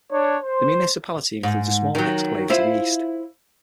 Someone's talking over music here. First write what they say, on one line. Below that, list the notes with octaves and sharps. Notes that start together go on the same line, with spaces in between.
The municipality includes a small exclave to the east.
D4 C#5
C5
G#2
D#3 F#3
E4 F4 C5